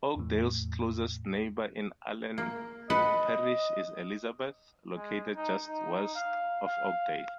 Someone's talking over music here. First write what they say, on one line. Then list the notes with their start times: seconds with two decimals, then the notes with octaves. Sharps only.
Oakdale's closest neighbor in Allen Parish is Elizabeth, located just west of Oakdale.
0.16 E2 A2
2.38 A#3
2.90 B4 D#5 F#5 A5
4.95 G#3
5.36 D#4
5.67 D#4
6.15 F5
6.67 F5